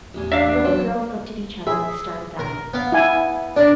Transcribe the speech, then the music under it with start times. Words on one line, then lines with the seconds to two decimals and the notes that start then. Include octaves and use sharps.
The little girls looked at each other with startled eyes.
0.15 A1 E2 G#5
0.31 D4 E5 F5
0.65 F#3 C4
1.67 G#4 E5
2.39 A#4
2.74 B3 F5
2.92 E4 G#5
3.56 D4 A#4 D5